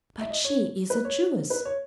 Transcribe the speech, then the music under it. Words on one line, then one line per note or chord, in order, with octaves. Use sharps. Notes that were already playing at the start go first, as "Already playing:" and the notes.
"But she is a Jewess!"
E5
D#5
C#5
B4
C#5
B4
C#5